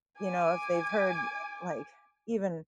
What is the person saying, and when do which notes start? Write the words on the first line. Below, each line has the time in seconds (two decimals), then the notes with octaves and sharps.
you know, if they've heard, uh, like, even,
0.18 G#5 D6